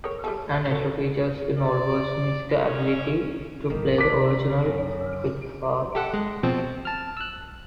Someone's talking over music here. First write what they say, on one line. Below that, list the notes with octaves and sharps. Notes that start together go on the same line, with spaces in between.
An extra feature in all versions is the ability to play the original Pitfall!
G#4 A#4 C#5
G3 G#4 A4
A3
F#4 A4 C#5
D5
C#4
A1 D#3 F#3 A#3 G4
C2 C#4 D4 D6 B6
F#2
G4 A4 F#5
G#3
B2 F3 C4
A5 F6
E6 F#6